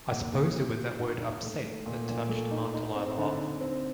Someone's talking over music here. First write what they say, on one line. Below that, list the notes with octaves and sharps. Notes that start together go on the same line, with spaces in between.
I suppose it was that word "upset" that touched Aunt Dahlia off.
A#3
G4
G4
G4
D#4
D#4
A3
A3
A#2
A#2
A3
D#4
D#4
C4
D3
D#4
C4